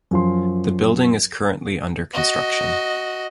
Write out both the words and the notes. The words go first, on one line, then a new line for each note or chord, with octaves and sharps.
The building is currently under construction.
F#2 F3 C6
F#4 D#5